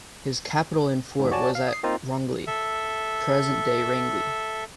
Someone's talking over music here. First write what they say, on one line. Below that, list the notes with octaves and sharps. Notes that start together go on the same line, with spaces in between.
His capital and fort was at Rongli, present day Rangeli.
E2 G#2
F#4 C#5 D5 G#5 A5
F5
D#6 C7
A#3 C4 D#4 F4
A4 E5